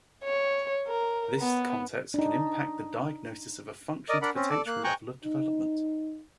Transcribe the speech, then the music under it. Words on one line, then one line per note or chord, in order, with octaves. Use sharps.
This context can impact the diagnosis of a function's potential level of development.
C#5
A#4
B3
D4 D#4
A#4 D5 D#5
D4 A#4 F#5 B5
C4 C#4
A4 D5
A#3 F#6
G5 G#5 A#5 C#6 F#6
D#4